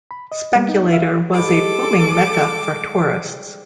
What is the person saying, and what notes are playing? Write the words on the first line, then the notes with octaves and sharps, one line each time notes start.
Speculator was a "booming Mecca" for tourists.
B5
D#5
G3 A#3 B3
D#4
E5 F5
G#2 G3 A4 D6